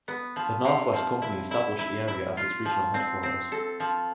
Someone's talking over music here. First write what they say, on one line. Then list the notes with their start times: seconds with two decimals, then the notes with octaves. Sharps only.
The North West Company established the area as its regional headquarters.
0.08 B3
0.36 F3
0.65 C3
0.93 F3
1.22 E4
1.51 E4
1.79 E4
2.08 E4
2.37 F4
2.65 F3
2.94 C4
3.23 C4
3.52 A4
3.80 F3